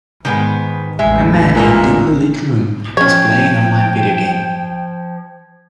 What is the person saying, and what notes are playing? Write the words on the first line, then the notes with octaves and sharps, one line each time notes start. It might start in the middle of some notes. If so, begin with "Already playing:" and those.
A man, in a dimly lit room, is playing an online video game.
G#2 D#3 G#3 B3
A1 E2 G#3 E5
A#2 D3 G#3 A#3
F3 C#4 C#5 G5 G#6